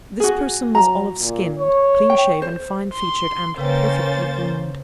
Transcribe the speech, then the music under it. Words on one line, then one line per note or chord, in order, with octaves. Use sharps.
This person was olive-skinned, clean-shaven, fine featured, and perfectly groomed.
F#4 G#4
F#3 A#5
A#2
C#5
G5
C5
C6
C#3 A#3 C#4 B4 C5 G5 A6